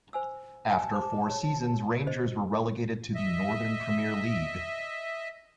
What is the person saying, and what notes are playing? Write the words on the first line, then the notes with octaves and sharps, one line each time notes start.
After four seasons Rangers were relegated to the Northern Premier League.
C5 G#5 E6
D#5 G#5 A5
C5 D6
C#5
C5 D#5
D#5 E5